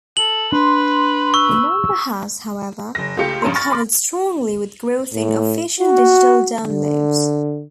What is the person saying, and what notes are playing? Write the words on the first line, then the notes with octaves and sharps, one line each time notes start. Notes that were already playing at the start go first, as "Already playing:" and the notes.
The number has, however, recovered strongly with growth in official digital downloads.
A4 F#7
D4 B4 C6
C#6 E6
F#1 A#6
C#2 A3 F4 G4 C#7
A#1 G2 C#4 A#5 C6
B5 C#6 F6 A6 A#6
B5 C6 D6
A2
F#4
D3